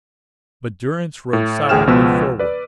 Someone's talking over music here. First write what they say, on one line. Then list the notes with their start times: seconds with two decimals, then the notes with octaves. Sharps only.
But Durrance rode silently forward.
1.33 A2
1.69 A1 D2 G#4 G5 F6 E7
1.87 C#2 B2 F3 B3 B4 E6
2.39 B4 D5